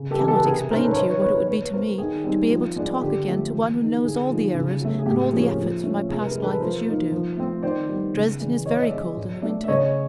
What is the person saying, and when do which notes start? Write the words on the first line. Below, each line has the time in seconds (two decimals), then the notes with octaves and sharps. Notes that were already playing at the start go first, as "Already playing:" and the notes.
I cannot explain to you what it would be to me to be able to talk again to one who knows all the errors and all the efforts of my past life as you do. Dresden is very cold in the winter.
Already playing: C#3
0.11 G4 A4
0.19 E3 G#3 B3 A#4
0.28 G4 A4
0.37 B4
0.44 C3 G#4 A#4
0.58 G#4
0.70 D#3 G#3 C#4 A#4 C5
0.84 A4 B4
0.92 C#5
0.96 D#3 A#4 C5
1.09 B4 C#5
1.21 G#3 B3 B4 C#5
1.34 B4 C#5
1.47 A#2 B4 C#5
1.63 B4
1.73 F#3 B3 A#4 C5
1.98 D#3 G#4
2.24 G3 C4 D#4
2.50 F3
2.76 G#3 B3 D4
3.01 D3 G4
3.27 F3 A3 C4
3.53 E3
3.79 G#3 B3 D#4
4.05 D3 G#4
4.30 F3 A#3 D#4
4.55 C#3
4.81 F#3 A3
4.99 G#4
5.06 A2 G4
5.32 F3 A#3 C#4 G#4
5.58 F3
5.83 A3 C#4
6.09 C3 G#4
6.20 B4
6.26 G#4 A#4
6.35 E3 G#3
6.43 A4 B4
6.60 F3 A#4 C5
6.87 A#3 D#4
7.12 F3
7.37 A3 C4
7.62 D#3 C5 D5
7.89 G3 B3
8.14 C#3
8.40 E3 G#3 B3 D4
8.65 E3 C#5 D#5
8.79 D#5
8.82 D5 E5
8.91 G#3 B3 D4
9.17 B2
9.42 F#3 A3 D4
9.64 E5
9.68 C#3 C#5 D#5